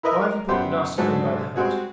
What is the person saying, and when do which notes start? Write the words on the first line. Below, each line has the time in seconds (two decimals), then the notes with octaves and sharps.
Why have you put the nasty thing by the hut?'
0.03 E4 A#4 B4 D#5 E5
0.16 A#4
0.49 F#2 B3 C5 D5 G5
0.98 G#2 D3 F#3 A3 D4
1.56 G3 G#3 C4 F#4 G#4